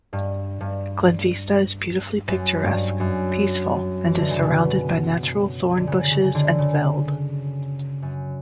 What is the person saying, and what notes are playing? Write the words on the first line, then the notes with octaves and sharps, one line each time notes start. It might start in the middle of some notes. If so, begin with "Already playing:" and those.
Glenvista is beautifully picturesque, peaceful and is surrounded by natural thorn bushes and veld.
G2
G2
F#2
G2
F#2
E3
D3
C#3
B2
D3
C#3
C#3
D3
C#3
F#2